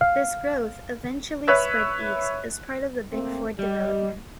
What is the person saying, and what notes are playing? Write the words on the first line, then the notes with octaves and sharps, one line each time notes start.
This growth eventually spread East as part of the Bickford development.
F5
B4 C#5 E5 F#6
A3 A#3 C4
G3 G4 D#5